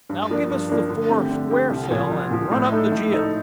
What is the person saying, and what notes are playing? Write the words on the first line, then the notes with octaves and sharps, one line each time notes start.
"Now give us the fore squaresail, and run up the jib."
G2
F3 A#3 D4
G2
F3 A#3 D4
D3
A3 C4 G4
D3
A3 C4 G4
C2
A#2 F3
C2
A#2 F3
A2
A3 D#4 A4
A2
A3 D#4 A4